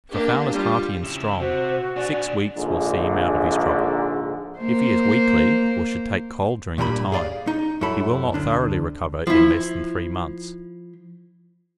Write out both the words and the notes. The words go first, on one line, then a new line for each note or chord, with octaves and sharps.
If a fowl is hearty and strong, six weeks will see him out of his trouble; if he is weakly, or should take cold during the time, he will not thoroughly recover in less than three months.
A#3 D4 G4
G3 F4
C#3 E4
C3 F#4 C5
D4 G#4 D5
A#1 G#2 D3
A#3 C5
G2 A#2 G3 A#5 B5
G#4 D5 F5
D#4
F#2 E4 A4 B5
D2 D4
F3 E4